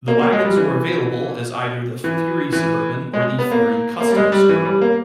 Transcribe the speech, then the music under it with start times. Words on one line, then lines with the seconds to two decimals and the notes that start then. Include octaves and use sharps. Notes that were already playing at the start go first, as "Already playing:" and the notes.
The wagons were available as either the Fury Suburban or Fury Custom Suburban.
0.08 A#3
0.21 A#3
0.32 G#3
0.45 G3
0.57 E3
2.04 E3
2.52 E3
3.13 G#3
3.39 B3
3.51 A#3
4.00 A#3
4.12 G3
4.16 G#3
4.32 G3
4.49 E3
4.65 G3
4.81 A#3